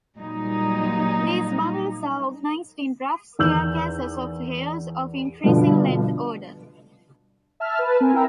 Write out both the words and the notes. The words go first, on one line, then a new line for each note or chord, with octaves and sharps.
These bundles are organized in rough "staircases" of hairs of increasing length order.
A#2 F#3 G3 D#4
E2 D#3 E6 G6 F#7
G2 B2 D3 F3
E5 A5 F6
B4 A5
C4 A#4 G#5
E4 A#4 F5 G5 A#5 E6